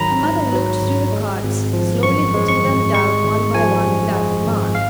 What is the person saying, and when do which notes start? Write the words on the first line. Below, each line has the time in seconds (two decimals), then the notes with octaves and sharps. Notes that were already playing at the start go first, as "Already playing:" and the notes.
Her mother looked through the cards, slowly putting them down one by one without remark.
Already playing: G#1 D#3 F#3 A#5 B5
0.23 G#2
0.52 F#3
0.83 G#1
1.12 G#3
1.43 G#1
1.73 F3
2.03 F#2 C#6
2.34 G#3
2.48 C#6
2.63 G#1
2.93 G#3 C#6
3.24 G#1
3.54 F3 G#5
3.85 F#2
4.14 G#3
4.45 G#1
4.75 F5